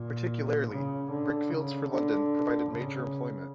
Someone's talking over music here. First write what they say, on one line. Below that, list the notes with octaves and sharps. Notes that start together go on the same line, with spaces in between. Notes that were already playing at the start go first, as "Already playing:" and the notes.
Particularly, brickfields for London, provided major employment.
Already playing: A#2
C#3
D3
C#3
D3
C#3